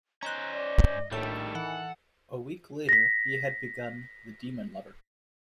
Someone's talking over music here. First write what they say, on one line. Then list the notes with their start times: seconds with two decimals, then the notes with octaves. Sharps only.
A week later he had begun "The Demon Lover."
0.23 C#4 C5 D#5 A#5 F#6
0.54 D5
1.12 A#1 A2 D#3 G3 A3 A4 G6
1.55 E3 F#5
2.89 A#6 B6